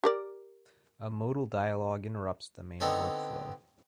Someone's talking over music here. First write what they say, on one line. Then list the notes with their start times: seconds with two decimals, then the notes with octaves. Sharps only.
A modal dialog interrupts the main workflow.
0.04 G4 A#4 D5
2.80 D3 B3 C4 D#4 A4 C#5